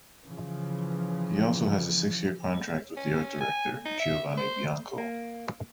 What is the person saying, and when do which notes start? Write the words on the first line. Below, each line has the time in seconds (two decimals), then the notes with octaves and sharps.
He also has a six-year contract with the art director, Giovanni Bianco.
0.25 C#3 E3 F3
2.97 C#4
3.41 G#5
3.85 D#4
3.99 E5
4.37 C5
4.98 A#3